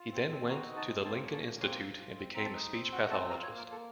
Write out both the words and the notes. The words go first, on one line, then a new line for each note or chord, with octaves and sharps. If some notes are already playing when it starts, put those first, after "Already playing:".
He then went to the Lincoln Institute and became a speech pathologist.
Already playing: F4
C4
C4
F#4 A#5
D#4
A5
C4
A#3 A5
C#4
A5
A#3
C4 F5
F4
F4
C4
C4 A#5
A5
D#4
C4
F#4 F#5
C4 A5
F4 A#5
C#5
A#3
A#4
A#3 A4